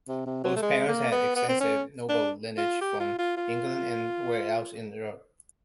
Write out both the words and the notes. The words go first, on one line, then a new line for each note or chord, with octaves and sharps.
Both parents had extensive noble lineage from England and elsewhere in Europe.
C3
C3
F#3
A3
G#3
A#3
B3
B3
C4
C#4
D4
F4
G4
F4
F4
F4